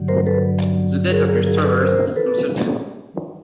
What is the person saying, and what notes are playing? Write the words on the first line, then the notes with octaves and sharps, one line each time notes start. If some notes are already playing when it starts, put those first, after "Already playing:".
The date of his travels is uncertain.
Already playing: G2 D3 F#3
A#4 C5
A4 B4
G#4 A#4
G#4 A#4
G#4 A#4
A4 B4
A#4 C5
A4 B4